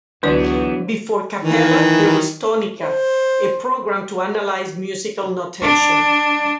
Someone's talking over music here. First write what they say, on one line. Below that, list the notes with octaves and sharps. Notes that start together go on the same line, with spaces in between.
Before "capella", there was "tonica", a program to analyse musical notation.
C#2 D3 E3 F#3 B3 D4 F#4 D5
D#3 E3
C5
D4